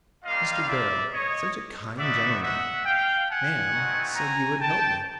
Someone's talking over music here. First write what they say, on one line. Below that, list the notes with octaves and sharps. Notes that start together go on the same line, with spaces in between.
"Mr. Beryl--such a kind gentleman, ma'am--said you would help me."
G3 A#3 D4 F4 D#5 F5
D5 E5
C#5 D#5
B3 D#4 F#4 D5 E5
E5 F#5
F5 G5
F#5 G#5
A3 C4 D#4 F#4
G#5 A#5
G5 A5